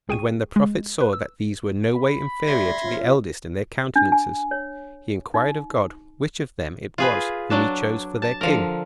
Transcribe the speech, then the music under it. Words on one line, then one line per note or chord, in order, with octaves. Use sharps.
And when the prophet saw that these were no way inferior to the eldest in their countenances, he inquired of God which of them it was whom he chose for their king.
C#2 G#4 G5 C#6 D#7
G#3
B4
E6
B5
D2 G3 D5 E5 C6 G#6 A#6
F3 C#4 F4
D4
G#5
C#5
D#4
F4 G#4 B4
F#3 D4 A5
A5
D3 F3 A#4